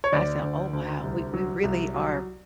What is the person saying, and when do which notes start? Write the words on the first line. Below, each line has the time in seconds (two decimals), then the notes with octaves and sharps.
I said, "Oh, wow. We we really are"
0.04 C#5
0.12 D2 D5
0.43 D2
0.73 D2
1.03 C2
1.34 F#3
1.64 C2
1.94 F#3